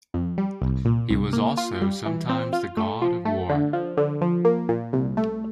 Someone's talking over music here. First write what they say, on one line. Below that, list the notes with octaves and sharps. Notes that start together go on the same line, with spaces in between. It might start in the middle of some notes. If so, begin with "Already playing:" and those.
He was also sometimes the god of war.
F2
G3
C2
A#2
C2
A#3
F4
G3
E3
C4
F4
A3
F3
A3
D3
F3
D3
F3
A#3
A#2
C2
A3